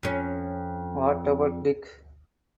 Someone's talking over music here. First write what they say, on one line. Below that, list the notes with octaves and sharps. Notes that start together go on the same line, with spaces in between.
What About Dick?
F2 C#4